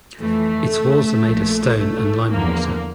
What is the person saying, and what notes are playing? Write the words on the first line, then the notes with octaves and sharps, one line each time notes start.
Its walls are made of stone and lime mortar.
F2 E3 A3
A#1 A#2 F3
A3
E2 D3 F3 A#3